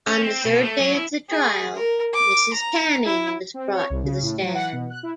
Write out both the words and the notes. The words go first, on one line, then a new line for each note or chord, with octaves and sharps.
On the third day of the trial, Mrs Canning was brought to the stand.
C#4
C4
B2
A3
F#3
E4
G#4
A#4
D6
A#5
E4
C4
C#5
C2
C#3
A2
F#3
F#5
B2
F#6
E4